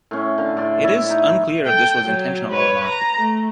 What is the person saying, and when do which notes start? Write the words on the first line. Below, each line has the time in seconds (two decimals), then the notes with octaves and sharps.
It is unclear if this was intentional or not.
0.11 A2 C#4
0.38 D3 F5
0.57 A2 D5 C6
0.84 E4 C#5 D5 E5
1.10 D#4
1.64 A4 G5
2.03 F#3
2.50 B4 C#5
2.86 A#5
3.18 A3